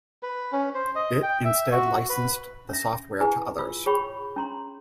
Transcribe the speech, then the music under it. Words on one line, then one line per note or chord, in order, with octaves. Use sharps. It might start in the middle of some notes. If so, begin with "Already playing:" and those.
It instead licensed the software to others.
B4
C#4
C5
D#5
G5
E5
F#4
B4
C#4 E5
E4 G#4 B4 G#5
F4 E6
G#4 C#5 G5 B5 C#6
C#4 A#5 C6